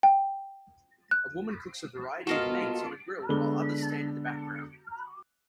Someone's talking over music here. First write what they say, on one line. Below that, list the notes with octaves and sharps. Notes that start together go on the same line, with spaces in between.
A woman cooks a variety of meets on a grill while others stand in the background.
G5
F#6
B3 F4 F#4 A4 A#4 D#5 F5
D3 G#3 B3 A4 D6 G7